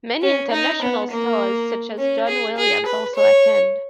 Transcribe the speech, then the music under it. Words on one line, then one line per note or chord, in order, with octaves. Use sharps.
Many international stars, such as John Williams, also attend.
C#4
D#4
B3
A#3
C#4
G#4
G#4
B4
C#5